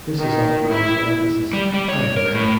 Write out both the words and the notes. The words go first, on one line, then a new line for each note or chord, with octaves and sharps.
This is often done for emphasis: I am ready!
D#3
E4
G3
G3
C#5
A#4
A2